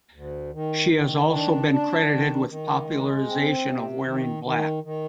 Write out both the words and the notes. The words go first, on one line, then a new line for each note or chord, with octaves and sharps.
She has also been credited with popularisation of wearing black.
D2
D#3
D#3
D4
D4
D#3
D#3
G#3
C4
C3
D#3
D#3
D#3